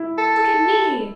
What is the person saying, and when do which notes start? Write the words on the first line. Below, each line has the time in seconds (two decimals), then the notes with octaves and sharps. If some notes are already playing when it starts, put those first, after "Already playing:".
"Look at me!"
Already playing: E4
0.18 A4